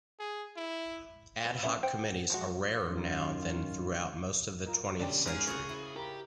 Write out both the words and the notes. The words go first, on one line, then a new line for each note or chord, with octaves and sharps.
Ad hoc committees are rarer now than throughout most of the twentieth century.
G#4
E4
B3
B3 C#4 F4 E5 F#5
C5 F#5 G5
F3 G#3 F#4
F#2 D#3 C#4 F4
F4 A#4 D#5
B2 D3 C#4 G4 D5 A5 D6
G#2 G#4 A#4 F5 G#5 D#6
A1 C#3 F#4 C5 C#5
E4
G4 A#4 B5